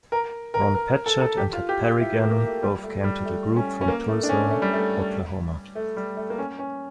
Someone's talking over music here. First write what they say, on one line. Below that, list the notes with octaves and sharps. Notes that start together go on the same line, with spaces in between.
Ron Padgett and Ted Berrigan both came to the group from Tulsa, Oklahoma.
A#4
A#4
A#4
A4
A4
G4
F4
G4
F4
E4
A#3
A#3
A3
G3
A3
G3
A3
C#4
C#4
A#3
A3
D4
C#4
A3
G3
A3
A3
G3
A3
A#3
C#4
C#4